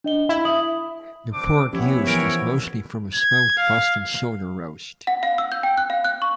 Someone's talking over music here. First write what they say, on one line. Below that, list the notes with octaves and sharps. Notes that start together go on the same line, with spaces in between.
The pork used is mostly from a smoked Boston shoulder roast.
D4 D#5 G7
E4
E5 D#6 F#7
C4 D4 D6
F3 B3 C#4 E4 G4 C#5
E3 F3 A#4 G5 G#5
G#6
F5
F#5
F5
E6
G6
G5
F#6
F5
F#6
C#6